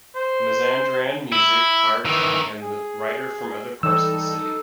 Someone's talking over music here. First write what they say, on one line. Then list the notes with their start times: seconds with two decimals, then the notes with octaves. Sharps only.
Mazandaran music, art and writer from other parts of the city.
0.15 C5
1.32 E4
2.05 D#3 E3
2.62 G#4
3.83 E3 G3 D#4 A4 E6